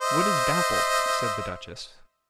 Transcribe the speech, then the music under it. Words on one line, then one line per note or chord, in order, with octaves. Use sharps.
"What is Dapple?" said the duchess.
C5 D#5 E5